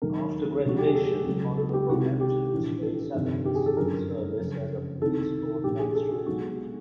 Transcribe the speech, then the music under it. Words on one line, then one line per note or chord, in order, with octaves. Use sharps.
After graduation, Honorable entered the Straits Settlements Civil Service as a Police Court Magistrate.
E1 D#2 D#3 F#3 A3 A#4
E1 D2 C3 F3 A3 F#4
G4
G#4
A4
C#2 C#3 F#3 A3
A4
G4
C2 C3 D#3 G#3 F#4
G4
A#1 A2 E3
A4
G1 F2 C3 D#3 G3
G4
G#4
A4
G1 F#2 D3 F#3 A#4
F#2 C#3 F3 A3
C2 C3 D#3 A4
A#1 A#2 G3 G4
G#4
A4
F#4
B1 B2 G#3 F#4